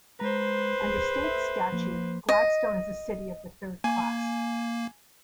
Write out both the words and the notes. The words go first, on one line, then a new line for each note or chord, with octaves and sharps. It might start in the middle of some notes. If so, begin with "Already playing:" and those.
Under state statute, Gladstone is a city of the third class.
G#3 B4 C5 A#5
G#4
A4 E5
F3 A#3
D#5
A#3 G#5